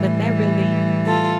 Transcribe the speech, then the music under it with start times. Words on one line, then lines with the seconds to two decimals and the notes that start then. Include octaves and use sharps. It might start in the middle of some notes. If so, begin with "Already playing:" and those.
but that really
Already playing: A2 E3 G3
1.07 F4 A4